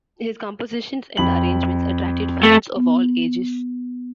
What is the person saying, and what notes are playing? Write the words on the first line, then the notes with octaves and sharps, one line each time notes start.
His compositions and arrangements attracted fans of all ages.
F2 B5 F#7
A3
B3